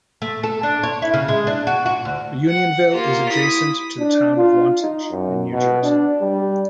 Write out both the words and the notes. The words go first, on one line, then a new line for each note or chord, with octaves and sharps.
Unionville is adjacent to the Town of Wantage in New Jersey.
A3
A4
D4
C#5
E4
C#3
G#3
D4
F#4
F#4
D2
F#5
A#3 F4 G4
E4 D#6 B6
D4
F4
D#4
F#2
B2
D4
G3